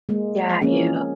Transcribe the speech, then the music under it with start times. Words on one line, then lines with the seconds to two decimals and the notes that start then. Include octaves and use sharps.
Got you.
0.09 G#3 A#3
0.61 F3 A#3 C4 C#4 G#4